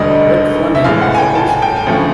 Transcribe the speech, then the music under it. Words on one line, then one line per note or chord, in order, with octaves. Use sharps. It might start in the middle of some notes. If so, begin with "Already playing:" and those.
Rick Fleming is the Principal.
Already playing: E1 D2 D3 G3 D#5
E5
A1 A2 E3 G#3 F5
F#5
G#5
G5
A5
G#5
G5
G#5
D2 C#3 F3 A3